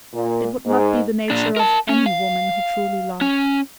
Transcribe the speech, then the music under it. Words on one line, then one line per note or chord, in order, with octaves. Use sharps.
"It would not be the nature of any woman who truly loved."
A#2
G#2
A#2 D4
A#4 A5
C#4
F5
C#4